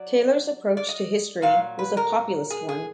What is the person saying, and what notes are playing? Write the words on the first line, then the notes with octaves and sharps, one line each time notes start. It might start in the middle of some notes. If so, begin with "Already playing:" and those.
Taylor's approach to history was a populist one.
Already playing: F#3 D5
D5
D#5
A#2 F#3 F5
B4
A#4
G#4
G#4